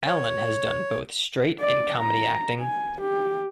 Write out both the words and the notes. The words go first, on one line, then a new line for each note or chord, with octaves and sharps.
Allen has done both straight and comedy acting.
C#5
D5
A#5
G#5
G4